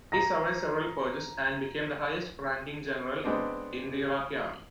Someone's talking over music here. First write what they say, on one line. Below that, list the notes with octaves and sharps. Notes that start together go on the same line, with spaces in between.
He survived several purges and became the highest-ranking general in the Iraqi Army.
A#5 A#6
G#3 B3 C4 D4 D5